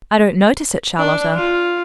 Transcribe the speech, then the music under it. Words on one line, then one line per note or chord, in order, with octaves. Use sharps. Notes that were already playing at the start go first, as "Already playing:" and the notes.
"I don't notice it, Charlotta."
D4
F4